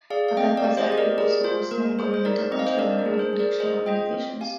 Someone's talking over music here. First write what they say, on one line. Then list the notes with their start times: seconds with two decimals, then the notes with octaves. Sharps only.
Adapazari also hosts non-governmental cultural and educational organizations.
0.10 G#4 D5 F5
0.28 F5
0.37 C4 D#5 G5
0.57 D5 F5
0.64 G4
0.77 C5 D#5
0.91 G4 D#5
0.98 A#4 D5
1.18 G#4 A#4 D5
1.44 F4 C5
1.71 A#3 A#4
1.99 G#4 C5
2.14 C5
2.25 D#4 A#4 D5
2.52 C4 D#5
2.59 F5
2.66 C5 D#5
2.79 D4 A#4 D5
2.99 A#4
3.06 G#4
3.19 C5
3.33 G#4
3.39 A#4 D5
3.60 G#4 C5 D#5
3.86 F4 D#5 G5
4.13 C4
4.41 G4 F5 G#5